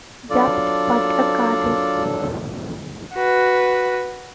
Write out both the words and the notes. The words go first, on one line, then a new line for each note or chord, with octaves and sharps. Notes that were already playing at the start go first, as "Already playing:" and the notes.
Dubbed What a Cartoon!
F#3 D4 F4 A4 D5
F#4 B4